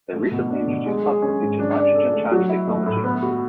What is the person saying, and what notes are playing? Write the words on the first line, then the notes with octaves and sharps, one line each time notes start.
They recently introduced clubs that feature nitrogen charged technology.
A3
B2
D4
B2
G#3
G#4
C#4
G#2
D4
D5
A4
A3
F#3
E4
A3
A2
B3
F#4